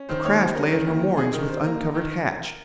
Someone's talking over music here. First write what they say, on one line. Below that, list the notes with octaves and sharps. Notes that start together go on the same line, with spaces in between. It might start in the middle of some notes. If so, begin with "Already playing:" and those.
The craft lay at her moorings with uncovered hatch.
Already playing: C#4
D#3 C5
D#2 C#5
G3 C5
C#4 A#4
D#3
D#2
G3
D#4 G#4
D#3 A#4
C3 C5
A#3 A#4
D#4
D#3